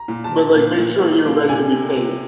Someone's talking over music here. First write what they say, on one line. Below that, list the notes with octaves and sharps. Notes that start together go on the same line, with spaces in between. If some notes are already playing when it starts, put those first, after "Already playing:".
but like make sure you're ready to be paid.
Already playing: A#5
A#2
A5
F3
A#2
A#2
A#2
A#3
C3 G#5
C3
C3